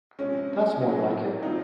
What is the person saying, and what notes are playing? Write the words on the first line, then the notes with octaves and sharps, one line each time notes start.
That's more like it.
C3 F3 G#3 C#4
C3 D#3 F#3 A#3 C#4
D#3 F#3 C4 D#4 F4